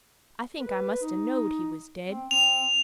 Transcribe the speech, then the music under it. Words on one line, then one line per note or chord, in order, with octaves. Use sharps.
I think I must 'a' knowed he was dead.
B4
D#4
C4
C4 F7